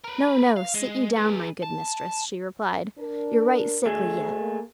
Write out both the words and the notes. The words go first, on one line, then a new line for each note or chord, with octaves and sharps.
'No, no; sit you down, my good mistress,' she replied; 'you're right sickly yet.
A#4 B4
F5
G#3
G#4 B4
A5
D4 A#4
D2 A3 G#4
A#3